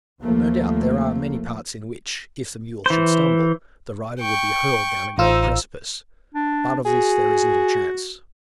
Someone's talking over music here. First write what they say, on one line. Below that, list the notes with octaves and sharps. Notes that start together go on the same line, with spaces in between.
No doubt there are many parts in which, if the mule should stumble, the rider would be hurled down a great precipice; but of this there is little chance.
D#2 F3 A3 A#3
E3 C5
G5 C#6
A1 D#4 F4 C5 E6
D4
F#4 G#4